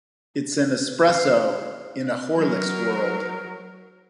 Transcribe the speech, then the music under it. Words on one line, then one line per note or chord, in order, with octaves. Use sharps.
It's an espresso in a Horlicks world.
F5
F#3 A#4